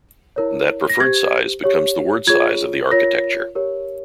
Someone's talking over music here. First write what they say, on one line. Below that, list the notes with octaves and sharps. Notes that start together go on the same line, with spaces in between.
That preferred size becomes the word size of the architecture.
E4 A#4 C#5
A#6
G4 C5 G#6
G4 C#5
F4 G#4 C#5 G#6
F4 A#4 C#5 A#6
G4 A#4 C#5